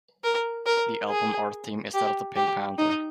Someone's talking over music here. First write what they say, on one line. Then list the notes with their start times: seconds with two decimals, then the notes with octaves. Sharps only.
The album art theme is that of the Pink Panther.
0.24 A#4
0.66 A#4
1.09 G#4
1.94 G4
2.36 G4
2.79 D#4